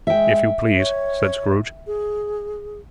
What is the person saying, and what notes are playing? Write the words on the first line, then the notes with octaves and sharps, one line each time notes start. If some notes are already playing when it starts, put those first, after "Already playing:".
'If you please,' said Scrooge.
G#3 E5 G5
C#5
G#4